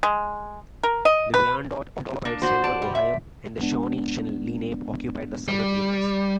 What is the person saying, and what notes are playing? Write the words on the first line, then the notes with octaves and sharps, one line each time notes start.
The Wyandot occupied central Ohio, and the Shawnee and Lenape occupied the southern areas.
G#3
A#4
D#5
B4
A#3 D4
F#4 C5
D5 A5
G3
E5
G#3 B3 D4
G3